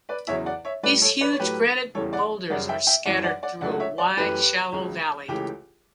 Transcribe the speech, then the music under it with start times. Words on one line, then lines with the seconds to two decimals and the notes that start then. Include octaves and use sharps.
These huge granite boulders are scattered through a wide, shallow valley.
0.09 B4 D5
0.27 E2 C#3 F#3 C#5 E5
0.46 D5 F#5
0.65 C#5 E5
0.83 A2 G3 B4 D5
1.01 A4 C#5
1.21 B4 D5
1.32 C#5
1.39 A2 F#3 A3 G4 B4
1.95 E2 C#3 E3 G3 A4 C#5
2.13 D5 F#5
2.50 F#2 C#3 G3 D5 F#5
2.69 E5 G5
2.87 E5 G5
3.05 F#2 E3 G3 D5 F#5
3.24 D5 F#5
3.43 D5 F#5
3.61 C#2 C#3 F#3 A3 D5 F#5
3.71 F#5
3.80 C#5 E5
3.98 D5 F#5
4.17 F#2 E3 A3 G4 B4
4.72 C#2 C#3 F#3
5.28 C#2 C#3 E3 A3 G4